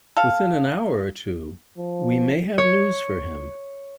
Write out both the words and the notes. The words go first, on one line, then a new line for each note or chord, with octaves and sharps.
Within an hour or two we may have news for him.
A4 F5
F3
C#5